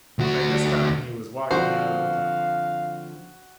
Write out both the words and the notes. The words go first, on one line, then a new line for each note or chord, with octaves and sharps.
By this time he was walking out of the tunnel.
D2 F#4
D3 F3 C4 F#4 C5 F5